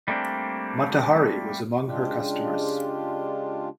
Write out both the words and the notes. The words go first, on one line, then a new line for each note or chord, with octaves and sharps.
Mata Hari was among her customers.
G3 A3 A#3 C4 D4
C#3 G#3 D4 F4 G4